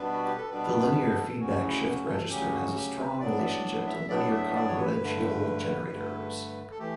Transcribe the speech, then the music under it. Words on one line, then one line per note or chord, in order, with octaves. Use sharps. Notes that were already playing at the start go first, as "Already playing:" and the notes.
The linear feedback shift register has a strong relationship to linear congruential generators.
Already playing: B2 G3 B3 D4 B4
F#4
G4
A4
B2 G3 B3 D4 B4
B4
A4
D2 C#3 F#3 C#4 F#4
E4
G4
F#4
A4
D2 C#3 F#3 C#4 G4
F#4
G4
B4
A2 F#3 B3 D4 D5
E5
D5
E5
A2 F#3 B3 D4 D5
E5
D5
C#5
B4
G2 D3 A3
G2 D3 A3
A4
E3 A3 G4